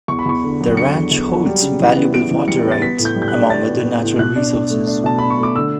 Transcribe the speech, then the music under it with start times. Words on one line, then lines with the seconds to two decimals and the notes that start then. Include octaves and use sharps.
The ranch holds valuable water rights, among other natural resources.
0.08 E2 C#6
0.19 B5
0.26 E2 C#6
0.44 D3
0.60 F#3
0.77 D3 C#7
0.95 E2
1.11 E2
1.29 F#3
1.46 G3
1.62 C#3
1.80 E3
1.97 B3
2.13 B3 D7
2.31 E3
2.48 G3 C#7
2.65 B3
2.71 A6
2.82 B3 B6
2.99 A2
3.05 G6
3.16 G3
3.22 G6
3.28 F#6
3.33 D4
3.50 D4 A6
3.68 B3
3.85 B3
4.02 A2
4.19 B2 F#6
4.36 D4
4.53 D4
4.70 A3
4.87 D4
5.04 B2 A5
5.18 D4 B5
5.30 C#6
5.38 A3 D6
5.56 D3 E6